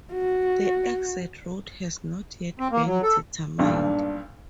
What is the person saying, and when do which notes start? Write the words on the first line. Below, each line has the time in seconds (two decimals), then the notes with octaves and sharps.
The exact route has not yet been determined.
0.13 F#4
2.59 C4
2.72 A#3
2.86 F#3
3.03 A4
3.59 B1 G2 A#2 D4